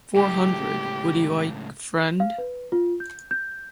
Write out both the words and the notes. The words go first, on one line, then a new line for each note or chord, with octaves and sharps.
Four hundred, would you like, friend?
C#2 A2 G4
F5
B4
F4
G6
G6